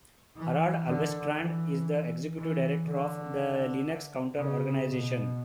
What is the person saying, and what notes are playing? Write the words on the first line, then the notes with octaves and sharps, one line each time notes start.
Harald Alvestrand is the Executive Director of the "Linux Counter Organization".
E3
D3
E3
E3
D3
C#3
B2